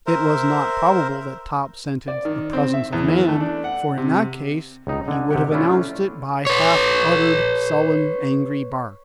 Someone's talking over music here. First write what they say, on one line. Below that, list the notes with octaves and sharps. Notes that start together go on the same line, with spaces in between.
It was not probable that Top scented the presence of man, for in that case, he would have announced it by half-uttered, sullen, angry barks.
A#4 C5 E5
D5
D#3
C4
E5
E2
E3
A3
D4
F#5
C3
C#2 D#4
D3 G#5
C3 G4 F#5
A3 C#4 D4 E4 F4
B4 C#5